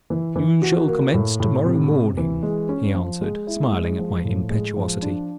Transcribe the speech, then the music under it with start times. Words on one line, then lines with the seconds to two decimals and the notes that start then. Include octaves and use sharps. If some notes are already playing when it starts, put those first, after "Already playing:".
"You shall commence to-morrow morning," he answered, smiling at my impetuosity.
0.10 E3
0.36 E3
0.62 F#4
0.88 A#3
1.14 A2
1.40 A2
1.65 C3
1.91 C3
2.17 E3
2.43 G#3
2.69 C#4
2.95 F3
3.21 G#3
3.47 E4
3.72 G#3
3.99 F3
4.25 A2
4.50 G#3
4.76 F3
5.02 D4